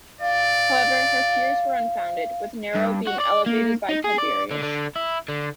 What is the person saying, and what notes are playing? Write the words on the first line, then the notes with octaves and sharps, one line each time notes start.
However, her fears were unfounded, with Nero being elevated by Tiberius.
D5 F5
G2
F#4
D5
A#3
D#4
G#4
D5
D3
D3
E4
D3